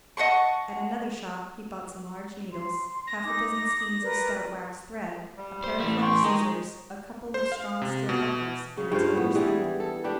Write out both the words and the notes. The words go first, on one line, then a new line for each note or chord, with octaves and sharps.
At another shop he bought some large needles, half-a-dozen skeins of stout waxed thread, a pair of large scissors, a couple of strong steel buckles, and a tailor's thimble.
D#5 F#5 A5 C#6
C6
A#6
D#4 D6
A#4 B4 D5
G3
C5
E3 A3
G5 C6 C#6
D#3 G#3 D#4
C5
F5
C3
B2
C#3
G2 F4 C5 F5
A2 B3
E3 G3 G#4
A4
D4 G4 B4